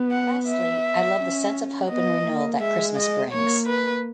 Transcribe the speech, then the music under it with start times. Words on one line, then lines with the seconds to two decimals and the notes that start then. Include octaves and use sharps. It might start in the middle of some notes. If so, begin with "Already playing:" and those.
Lastly, I love the sense of hope and renewal that Christmas brings.
Already playing: B3
0.12 F#5
0.48 E5
1.19 C#4
1.90 B3 D#5
2.26 A#3
2.60 G#3 E5
2.96 D#5
3.32 A#3 C#5
3.67 B4